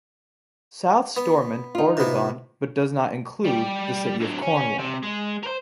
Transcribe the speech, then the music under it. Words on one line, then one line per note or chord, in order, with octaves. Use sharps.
South Stormont borders on, but does not include, the city of Cornwall.
B3
D#4 F4
C3 B3
G3 G4
D3 F#3
C#4
C3
G#3
A#4 C5